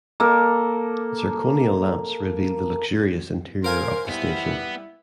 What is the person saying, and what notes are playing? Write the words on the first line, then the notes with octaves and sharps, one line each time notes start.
Zirconia lamps revealed the luxurious interior of the station.
A#3 A4
A#4 C5 F5 G#5 C6
G3 B3 E4